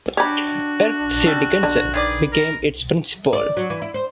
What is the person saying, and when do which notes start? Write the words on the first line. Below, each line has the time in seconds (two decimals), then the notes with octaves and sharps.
Eric C. Dickinson became its Principal.
0.17 D4 F#4 G4 C#5 B5
1.26 G3 A4
1.63 D3
1.94 D#3 G#4 B4 D5
2.32 A#4
3.33 D5
3.57 F#3
3.70 E3
3.82 E4
3.94 C5